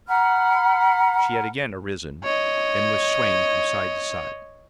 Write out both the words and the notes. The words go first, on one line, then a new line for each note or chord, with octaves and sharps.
She had again arisen and was swaying from side to side.
F#5 A#5 B5 F6
C#5 D#5